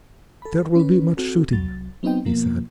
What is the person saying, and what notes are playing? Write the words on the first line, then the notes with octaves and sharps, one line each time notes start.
"There will be much shooting," he said.
A4 B5
C#4 B4
C4 F#4 A4
C2 F#3 A6
F#3 B3 C4 D#4 D#5 G5
B2 F3 A#3